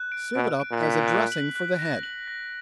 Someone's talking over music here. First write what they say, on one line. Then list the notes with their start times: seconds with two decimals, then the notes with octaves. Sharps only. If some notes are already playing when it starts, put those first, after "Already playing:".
Serve it up as a dressing for the head.
Already playing: F#6
0.12 D7
0.35 B2 D7
0.60 D7
0.71 A#2
0.83 B6
1.07 F#6
1.32 F#7
1.56 F#6
1.79 A#6
2.03 F#7
2.28 A#6